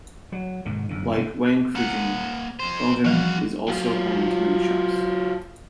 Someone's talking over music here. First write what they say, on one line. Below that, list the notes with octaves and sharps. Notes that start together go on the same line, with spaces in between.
Like Wangfujing, Dongdan is also home to many shops.
F#3
G#2 C3 D#3
F#2 D3 E3
B2 D3
A#3 F#5
F2 C5
E3 F3 G3 F#4 F5
F#3 F4